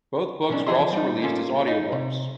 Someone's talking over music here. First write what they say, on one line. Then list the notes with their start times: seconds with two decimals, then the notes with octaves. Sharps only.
Both books were also released as audio books.
0.49 B1 E3 C#4 D4
0.67 E3 F3 G#4 D#5 E5 C6
0.93 G3 D#4
1.22 A#3 C#4 F4 A4
1.67 D#4
1.92 C3